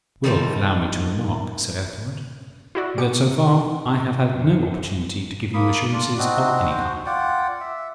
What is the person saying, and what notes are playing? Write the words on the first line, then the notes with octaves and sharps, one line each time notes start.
"You will allow me to remark, Sir Ethelred, that so far I have had no opportunity to give you assurances of any kind."
D#3 G3 A3 A#3 D#4 C5
E4 F#4 D5
B2 G4 C#7
F#2
A#3 B5 D#6
D4 F4 D5
C4 D4 D#4 F#4
F#4 C5
F4 D5 F#5 G5
E5